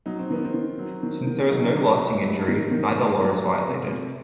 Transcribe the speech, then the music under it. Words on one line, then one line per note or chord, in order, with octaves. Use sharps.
Since there is no lasting injury, neither law is violated.
F#3 D#4
C4
D#3 B3
C4
D#3
F#3
D#3
D#3
F#3 D#4
F#3
A3
F#3
D#3
D#3
A3
F#3
A3
C3
C3